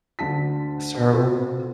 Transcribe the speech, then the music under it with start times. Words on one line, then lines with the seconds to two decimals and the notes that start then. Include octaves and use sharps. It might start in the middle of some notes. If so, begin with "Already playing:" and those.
That's terrible.
0.19 D2 D3 A5 B6
1.13 B3 C4 F4 F#4 A4